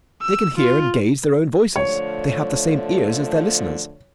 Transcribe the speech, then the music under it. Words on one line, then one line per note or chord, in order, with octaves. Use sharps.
They can hear and gauge their own voices. They have the same ears as their listeners.
E6
F4
D3 F3 A3 C#5